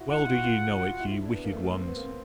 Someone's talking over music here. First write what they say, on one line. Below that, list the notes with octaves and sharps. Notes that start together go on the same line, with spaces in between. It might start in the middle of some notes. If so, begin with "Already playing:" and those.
Well do ye know it, ye Wicked Ones.
Already playing: E4 F#4
D#4 F#5
E4
F4
F#4
F4
F#4
F4
E4
E4
D4
B3
A#3
A3
A#3
C4
B3
A#3
C4